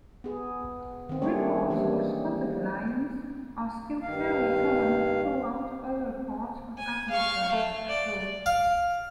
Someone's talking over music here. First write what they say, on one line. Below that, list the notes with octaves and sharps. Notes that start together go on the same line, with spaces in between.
Reports of spotted lions are still fairly common throughout other parts of Africa, though.
B3 G#4
D#3 C4
G3 A3 A#3 C#4 D4 C#5
E3 G3 G#3 A#3
G2 D#3 F5
G#5
F5 C#6
A3
D5
F5